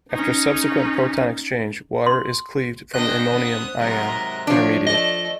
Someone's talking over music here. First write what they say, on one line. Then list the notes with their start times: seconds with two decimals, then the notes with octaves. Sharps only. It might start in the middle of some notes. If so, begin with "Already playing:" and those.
After subsequent proton exchange, water is cleaved from the iminium ion intermediate.
0.11 C#4 D#4
2.06 C6
2.94 A#2 D4 D#5 G5 F#6
3.32 B3 C4 D#6
3.80 G#2 C3 F#3 A#4 D#5
4.47 F3 D4 C#5
4.87 A3 D5 D#5